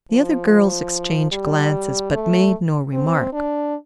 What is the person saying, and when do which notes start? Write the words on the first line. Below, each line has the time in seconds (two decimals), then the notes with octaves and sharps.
The other girls exchanged glances, but made no remark.
0.11 F3
1.31 G3
2.12 A3
2.93 C4
3.33 D4